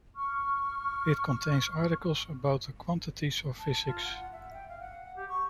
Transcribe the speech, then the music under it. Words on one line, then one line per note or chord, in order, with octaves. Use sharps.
It contains articles about the quantities of physics.
C#6 F6
A5
F4
F#5
E5
G5
F5
F#5
G4
C#6